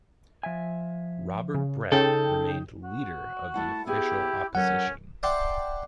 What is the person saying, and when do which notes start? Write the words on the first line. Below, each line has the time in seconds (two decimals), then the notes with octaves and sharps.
Robert Brett remained leader of the official opposition.
0.43 F3 E5 G#5
1.55 C#3
1.92 C#3 D#4 A4 G5 G6
2.84 F#4
3.54 A3 E4 F#5 A5
3.86 B3 E4 G4 G#4
4.55 F#3 C#4 A4 A#4 C#5 F#5
5.23 D5 E5 F#5 G5 A5 C6